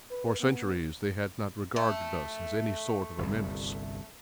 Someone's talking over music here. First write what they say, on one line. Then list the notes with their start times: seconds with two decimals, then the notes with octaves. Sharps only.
For centuries they had not regarded us as any sort of a menace.
0.11 B4
0.40 B3
1.76 A3
3.18 G1 C2